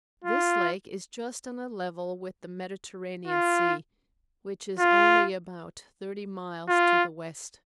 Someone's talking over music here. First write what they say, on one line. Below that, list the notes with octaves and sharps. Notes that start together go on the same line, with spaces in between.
This lake is just on a level with the Mediterranean Sea which is only about thirty miles to the west.
F4
F4
F4
F4